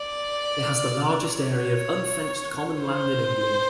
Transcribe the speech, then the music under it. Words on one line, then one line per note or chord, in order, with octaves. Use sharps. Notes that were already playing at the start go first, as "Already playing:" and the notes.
It has the largest area of unfenced common land in England.
Already playing: D5
C#5
C5